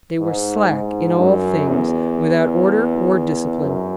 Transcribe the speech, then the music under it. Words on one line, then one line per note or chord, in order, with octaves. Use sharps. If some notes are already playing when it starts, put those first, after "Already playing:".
They were slack in all things, without order or discipline.
G#2
G#2
F#2
E2
F#2